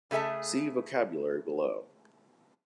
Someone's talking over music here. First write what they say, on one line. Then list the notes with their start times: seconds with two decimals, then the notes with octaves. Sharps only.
See Vocabulary below.
0.11 C#3 A3 G#4 E5 A5